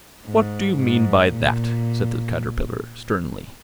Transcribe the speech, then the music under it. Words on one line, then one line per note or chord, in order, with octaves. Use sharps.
'What do you mean by that?' said the Caterpillar sternly.
G#2
G#2
A#2